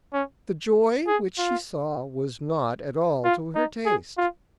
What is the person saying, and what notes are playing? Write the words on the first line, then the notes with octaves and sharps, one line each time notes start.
The joy which she saw was not at all to her taste.
C#4
G#4
F4
F4
D#4
G#4
F4